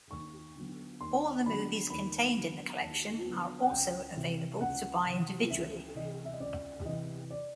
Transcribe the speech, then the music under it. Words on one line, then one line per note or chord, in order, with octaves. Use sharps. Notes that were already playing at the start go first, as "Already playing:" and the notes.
All the movies contained in the collection are also available to buy individually.
D#2 C#6
D3 F#3 B3
D#2 C6
D3 F#3 B3 B5
D#2 B5
D3 F#3 B3
D#2 A5
D3 F#3 B3
F#5
C#2 G5
C3 E3
C#2 F#5
C3 E3
C#2 E5
C3 E3 D#5
E5
D#5
C#2 D5
C3 E3 D#5
D5